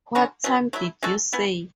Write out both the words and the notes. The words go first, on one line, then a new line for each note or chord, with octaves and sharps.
What time did you say?
D3 F#3 C#4 F#4
B2 F#3 C#4
F#3 A3 E4
G#3 C#4 F#4 A4
E3 B3 E4